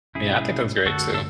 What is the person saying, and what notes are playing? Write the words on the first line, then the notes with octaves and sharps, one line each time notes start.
Yeah, I think that's great too,
B2 G#3 C#4 E4 G#4
F#2 D3 A3 D4 F#4 A4
A4